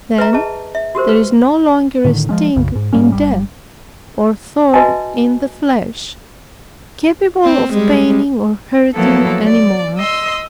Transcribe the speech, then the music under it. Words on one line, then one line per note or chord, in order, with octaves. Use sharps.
Then there is no longer a sting in death, or thorn in the flesh, capable of paining or hurting any more.
B4 E5 A#5
G#4 D#5 A5
E5
F#4 G4 A#4 C5
B4
A2 D3 D#3
F3 G#3 C#4
B1 F#2 C#3
G#2
G#2 G3 A#3 C#4
G1 G3
F#4 B4 D#5 E5 G#5 A5
C4
G3 G#3
F3 F#3 A#3 B3 E4 A4
D5
D#5 C6 E6